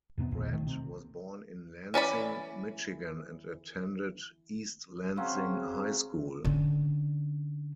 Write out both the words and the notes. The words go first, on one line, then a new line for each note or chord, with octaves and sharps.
Pratt was born in Lansing, Michigan and attended East Lansing High School.
F2 C3 A#3 B3
A#1 D#2 A#2
B1 D#3 A3
C3
E3 C#4 D5 B5
C#3 F#3 C4 C#4
D3 C#4